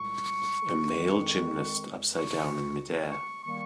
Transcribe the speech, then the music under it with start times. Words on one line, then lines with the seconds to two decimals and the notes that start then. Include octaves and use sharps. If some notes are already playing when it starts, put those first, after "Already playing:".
A male gymnast upside down in midair.
Already playing: C2 A#2 G#3 C#6
0.89 F2 D#3 G#3
2.16 C#2 C#3 G#3 C#6
3.12 C#6
3.44 D#3 G3 A#3 C#6